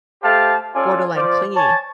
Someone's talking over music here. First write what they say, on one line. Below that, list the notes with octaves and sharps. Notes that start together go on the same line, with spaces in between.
borderline clingy?
A3 G4 C5 F5 A5
C#4 F4 A4 D5 G#5
F3 D5
C#5 G#5 A5